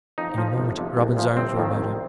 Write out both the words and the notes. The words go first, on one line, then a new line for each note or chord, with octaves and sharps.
In a moment Robin's arms were about him.
F2 D#4
F3
G1
F2 C3
C2
A#2 F3
G1 C4
F2 D#3
C2